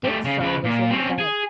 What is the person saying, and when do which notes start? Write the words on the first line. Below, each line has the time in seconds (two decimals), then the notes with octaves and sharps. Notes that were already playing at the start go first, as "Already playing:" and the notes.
Dick's soul is in the bank.
0.04 G3 A3
0.25 C#3
0.41 C#3 B4
0.65 A#2
0.90 C4 C#4
1.18 G#4